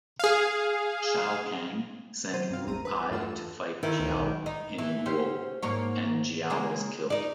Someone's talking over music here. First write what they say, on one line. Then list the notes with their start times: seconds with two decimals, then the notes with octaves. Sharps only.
Shao Kang sent Ru Ai to fight Jiao in Guo, and Jiao was killed.
0.19 G#4 F5
2.33 C3 D#3 F#3 C5 D#7
2.50 G2 C4 F5
2.67 A1 E2 C4 A#5 D#7
2.85 B4
3.10 E2 G2 A3 F4 A4 E6
3.83 D#3 E4
4.00 D2
4.15 B1
4.46 D#4
4.78 E3
5.06 C#4 G4 C5
5.63 G#2 A#3 C#5
6.50 C#3 G#3 A#3
7.10 D#4 D5